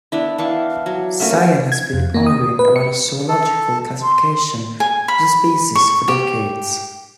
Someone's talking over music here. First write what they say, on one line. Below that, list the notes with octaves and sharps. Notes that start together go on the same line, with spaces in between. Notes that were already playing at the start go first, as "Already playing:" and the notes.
Science has been arguing about the zoological classification of the species for decades.
B3 D4 E4
E3 D4 F5 C#6
F#3
A3 A#3 C#4 F#4
G#6
F2
A#3
D#6
B4
C#7
A4
C6
G#5
B5
C#6
G4